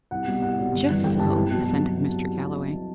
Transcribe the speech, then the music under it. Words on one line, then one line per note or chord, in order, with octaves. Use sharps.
"Just so," assented Mr. Galloway.
C2 F#5
B2 G3 C4
C2 F#5
B2 G3 C4
G1
G2 E3 G3
G1 G5
G2 E3 G3 A5
C2
B2 F#3